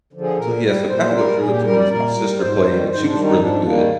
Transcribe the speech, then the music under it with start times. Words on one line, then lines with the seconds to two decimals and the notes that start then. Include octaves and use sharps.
So, yeah so kinda what drew it to me is my sister played and she was really good,
0.13 D3 F3
0.21 G#4
0.37 A#2 A#4
0.63 G3
0.89 A#2 C5
1.13 G3 A#4
1.38 A#2 G#4
1.51 G4
1.64 G3 A#4
1.77 D5
1.89 A#2 A#4
2.14 G3
2.38 G#2 C5
2.64 D#3 G3
2.89 G#2 C5
3.06 D4
3.14 D#3 G3
3.23 D#4
3.39 G#2 D4
3.64 D#3 G3 A#3